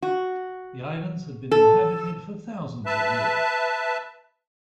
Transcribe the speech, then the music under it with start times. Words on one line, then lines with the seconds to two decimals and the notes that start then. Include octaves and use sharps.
The islands have been inhabited for thousands of years.
0.03 F#4
1.52 A4
2.86 B4 E5 A5